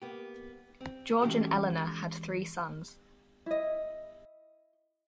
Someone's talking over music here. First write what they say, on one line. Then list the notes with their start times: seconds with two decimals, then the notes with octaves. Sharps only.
George and Eleanor had three sons.
0.02 A#3 B3 G4
0.81 C4
1.21 E3 G#3 C#4 F#4 G4 A4
3.46 E4 D#5